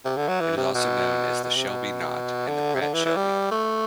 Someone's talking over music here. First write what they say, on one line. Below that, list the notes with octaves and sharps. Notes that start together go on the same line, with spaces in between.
It is also known as the Shelby knot and the Pratt-Shelby.
C3
D3
F#3
E3
C3
B2
B2
C3
B2
D3
C3
D3
E3
E3
G3
A3